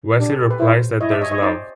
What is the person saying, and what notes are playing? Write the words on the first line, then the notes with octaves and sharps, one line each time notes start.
Wesley replies that There's love.
D4 G4
A4
G4
B4
E4 C5
E4 C#5 D#5
D5 E5
C#5 D#5
C#5 D#5
D#4 C5 D5